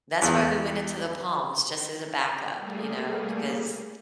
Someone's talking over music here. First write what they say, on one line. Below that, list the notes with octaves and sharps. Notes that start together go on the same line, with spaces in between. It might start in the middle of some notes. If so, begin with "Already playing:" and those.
That's why we went into the palms, just as a backup, you know, because
E2
G3 A3 A#3 G#4